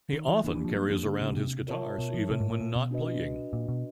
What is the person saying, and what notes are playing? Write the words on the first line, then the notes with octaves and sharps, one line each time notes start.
He often carries around his guitars even when not playing.
D#3
E3
E3 A#3 D4 G4
E3
F3
F#3
F3
D3
C#3
B2
C3
F4 A#4 C#5 E5 A5
B2
F3
C3
G#2
A2
A#2
B2
D4 F#4 B4 D#5
A#2
B2